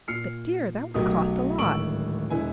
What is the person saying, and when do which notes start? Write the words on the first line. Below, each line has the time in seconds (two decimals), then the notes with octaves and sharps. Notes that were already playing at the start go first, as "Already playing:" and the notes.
But, dear, that would cost a lot!
0.08 A#2 F6 C7 C#7
0.94 B1 F#3 A3 G4 A#4 D#6
1.58 D1 G#1 C#6 E6 D7 F#7
2.30 E1 E4 B4 G#5